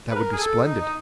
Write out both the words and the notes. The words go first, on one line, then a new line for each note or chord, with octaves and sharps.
"That would be splendid."
B4
A#4
G#4
A4
D#4
D#4